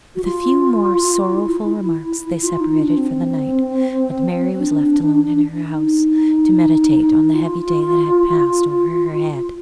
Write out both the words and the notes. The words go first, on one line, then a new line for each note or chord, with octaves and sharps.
With a few more sorrowful remarks they separated for the night, and Mary was left alone in her house, to meditate on the heavy day that had passed over her head.
F#4
F4
E4
F4
D#4
D4
C4
D4
D#4
F4